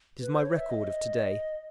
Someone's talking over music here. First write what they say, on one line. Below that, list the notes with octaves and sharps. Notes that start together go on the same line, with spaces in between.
It is my record of to-day.
B4
C5
C#5
E5
D#5